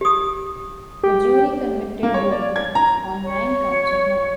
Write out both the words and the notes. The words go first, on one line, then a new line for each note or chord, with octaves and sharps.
The jury convicted Buono on nine counts of murder.
G4 D#6
G4
A#3
C#5
D5
G#6
A#5
C#5